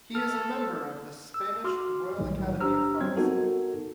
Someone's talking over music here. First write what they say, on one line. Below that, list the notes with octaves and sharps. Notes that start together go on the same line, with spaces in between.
He is a member of the Spanish Royal Academy of Pharmacy.
A4 F6
E6
F#4 C6 D6 F6
B1 A2 D#3 F#3 G3 A3
D4 G4 C5 A#5 E6 F6
F#3 G3 C4 C5 G#6
B3 D#4 F#4 A4 A#4